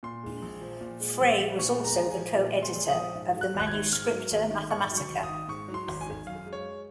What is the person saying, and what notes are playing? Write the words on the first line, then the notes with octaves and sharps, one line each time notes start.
Frey was also the co-editor of the "Manuscripta Mathematica".
A#2 C6
G#3
A#1
F3
A#2
G#3
A#1
F3
A#2 C#6
G#3
A#5
A#1
G#5
F3
A#2
G#3
C6
A#1
D#6
F3
G#2
F#3
F#6
G#1
F#6
G#6
D#3
G#2 F6
F#3
G#1
D#3
G#2 C#6
F#3
C#6
G#1
D#6
D#3
G#2 C#6
F#3
C6
G#1
G#5
D#3
F#2 F5
G#3
C#5